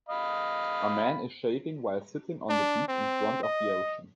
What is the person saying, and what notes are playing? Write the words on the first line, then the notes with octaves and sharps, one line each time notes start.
A man is shaving while sitting on the beach in front of the ocean.
D#5 F5 B5
D4
C4
D#5